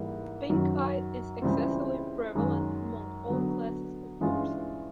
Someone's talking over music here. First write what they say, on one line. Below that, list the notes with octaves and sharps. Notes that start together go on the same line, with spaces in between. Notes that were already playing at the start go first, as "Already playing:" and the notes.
Pink-eye is excessively prevalent among all classes of horses.
Already playing: G#2 E3 G3 A#3
F#2 D#3 F#3
C#2 C#3 E3 G3 C4
F#2 D#3 G#3
D3 F#3 B3
G2 E3 G#3 C#4 F4